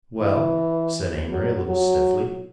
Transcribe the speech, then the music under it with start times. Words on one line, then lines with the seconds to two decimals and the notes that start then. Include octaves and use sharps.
"Well?" said Amory a little stiffly.
0.20 E3
1.30 F#3
1.68 F#3